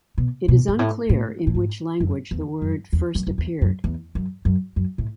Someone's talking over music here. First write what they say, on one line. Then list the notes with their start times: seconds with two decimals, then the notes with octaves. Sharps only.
It is unclear in which language the word first appeared.
0.18 B2
0.48 B2
0.68 G#2
0.79 A2
1.09 A2
1.47 A2
1.55 G#2
2.00 F#2
2.31 E2
2.62 F#2
2.93 E2
3.15 F#2
3.27 F#2
3.38 E2
3.61 F#2
3.84 E2
4.15 F#2
4.45 F#2
4.76 F#2
4.98 A2